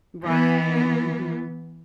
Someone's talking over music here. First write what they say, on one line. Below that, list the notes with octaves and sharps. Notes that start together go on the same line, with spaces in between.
Right, mhm.
E3 B3